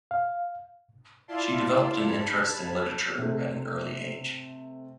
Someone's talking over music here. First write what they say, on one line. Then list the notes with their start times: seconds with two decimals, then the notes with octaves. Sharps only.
She developed an interest in literature at an early age.
0.11 F5
1.28 E4 F4 D5 A5 C6
2.05 A5 B5 G#6
3.19 C3 A3